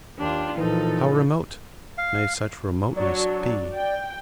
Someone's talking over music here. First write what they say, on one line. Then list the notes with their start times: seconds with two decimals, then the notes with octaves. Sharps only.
How remote may such "remoteness" be?
0.19 D#2 D4 F4 G4
0.58 A#2 E3 F3 D#4 A4
1.98 F5
2.96 F#3 D4 D5
3.75 G5